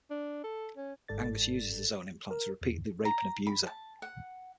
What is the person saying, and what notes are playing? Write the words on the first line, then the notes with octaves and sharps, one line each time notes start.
Angus uses the zone implant to repeatedly rape and abuse her.
D4
A4
C#4
G1 G#2 A4 D5 A6
A#4
E2
A#5
B5
A5
F#5